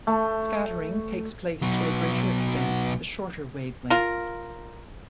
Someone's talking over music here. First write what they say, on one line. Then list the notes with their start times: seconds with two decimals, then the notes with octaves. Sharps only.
Scattering takes place to a greater extent at the shorter wavelengths.
0.07 A3
1.62 B2 F#3
3.90 F4 A#4